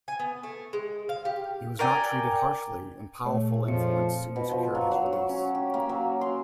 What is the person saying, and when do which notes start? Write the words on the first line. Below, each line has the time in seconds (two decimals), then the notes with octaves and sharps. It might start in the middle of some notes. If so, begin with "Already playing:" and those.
He was not treated harshly, and powerful influence soon secured his release.
0.08 G#5
0.19 B3
0.43 A3
0.73 G#3
1.09 F5
1.25 G4
1.79 A#4 D5 G5 G#5
3.25 A#2 A3 G#4 C#5
3.68 F2 F3 C#7
4.36 B2
4.51 F3
4.75 F#3
4.91 F#3
5.13 C#6
5.29 C#4
5.55 G4
5.74 A#3
5.89 F#3
6.21 C6